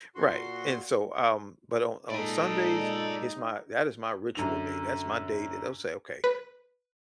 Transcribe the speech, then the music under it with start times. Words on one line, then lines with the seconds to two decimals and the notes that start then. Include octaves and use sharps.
Right and so, um, but on on Sundays, it's my that is my ritual day, that's my day that I'll say, "Okay,
0.15 A#2 F#4 C6
2.10 A#2 G#3 D#4 A4 D5 G#5
4.35 F#2 D3 F7
6.24 B4